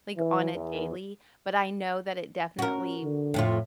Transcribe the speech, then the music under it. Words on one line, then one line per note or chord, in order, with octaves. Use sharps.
like, on a daily, but I know that it definitely
E3
E2
C#4 F#4 A#4
D3
F2 A2 F4